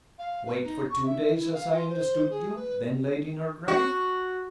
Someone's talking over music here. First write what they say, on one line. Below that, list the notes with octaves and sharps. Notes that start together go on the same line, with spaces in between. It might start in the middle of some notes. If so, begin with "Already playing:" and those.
Waked for two days, as I understood you; then laid in her grave?
F5
B4
D#4
C#6
E5
E4
F5
F4
C5
G#4
B4
F#4